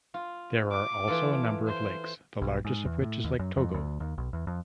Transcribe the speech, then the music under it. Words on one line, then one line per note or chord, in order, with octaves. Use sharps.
There are also a number of lakes, the largest of which is Lake Togo.
F4
D6
E3 F4 A4
C5
B1
G#2
E2
A2
D#2
F#2
F2
D2
D#2
B1
E2
F2